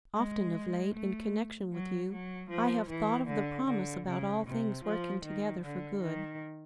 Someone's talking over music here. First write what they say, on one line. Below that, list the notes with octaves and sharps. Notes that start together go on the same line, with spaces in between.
Often of late, in connection with you, I have thought of the promise about all things working together for good.
G#3
A3
F#3
F#3
F3
E3
D3
D3
C#3
C3
F3
D#3
D3
D#3